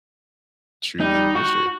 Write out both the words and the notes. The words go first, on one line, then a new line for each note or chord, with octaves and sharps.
true human history.
G3 D#4
F#4 C#6